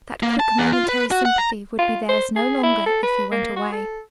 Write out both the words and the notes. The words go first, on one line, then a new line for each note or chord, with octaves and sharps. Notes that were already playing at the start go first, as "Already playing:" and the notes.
That quick momentary sympathy would be theirs no longer if he went away.
A#3
A5
E2
F4
B4
F#4
F#5
A#5
F4
C5
G#4
E4
A4
B4
A#3
F#4
A4